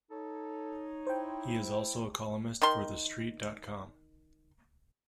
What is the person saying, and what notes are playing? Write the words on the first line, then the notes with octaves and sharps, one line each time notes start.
He is also a columnist for TheStreet dot com.
D#4 A4 C#5
E4 C5 G5
D#3 C6